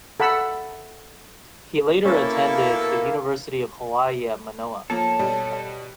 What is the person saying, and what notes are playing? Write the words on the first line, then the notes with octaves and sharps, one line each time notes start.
He later attended the University of Hawaii at Manoa.
A4 F#5 B5 E6
B2 A#3 C#4 E4 A4
F3 A#3 A4 C#5 A5
B2 G3